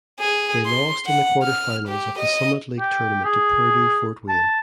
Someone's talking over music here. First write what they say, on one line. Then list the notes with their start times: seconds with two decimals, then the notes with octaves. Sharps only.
They lost in the quarterfinals of the Summit League Tournament to Purdue Fort Wayne.
0.20 G#4
0.66 C6
1.06 F#5
1.43 F6
1.88 G4
2.19 D#5
2.80 G4
3.25 G#4
4.29 A5